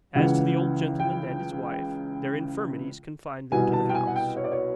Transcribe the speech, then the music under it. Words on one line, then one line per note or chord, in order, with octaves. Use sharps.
As to the old gentleman and his wife, their infirmities confined them to the house.
C#2 C#3 E3 F#5
G5
C2 B2 G#5
A5
G5
G#5
F#5
G5
C#5
D5
C#5